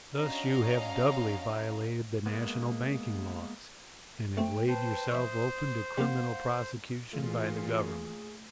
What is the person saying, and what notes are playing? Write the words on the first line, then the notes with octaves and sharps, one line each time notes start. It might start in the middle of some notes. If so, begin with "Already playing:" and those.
Thus you have doubly violated the national banking laws, and have laid yourself open to criminal prosecution by the Government.
C#4 D4 F#4 D#5 F5 A#5
G#3 A#3 B3
A3 C4 G5
B4 C5 G5 A5
C#5 E5 D#6
G3 A#3 F4 F5 F#5
A#2 E3 A3 F4 G#4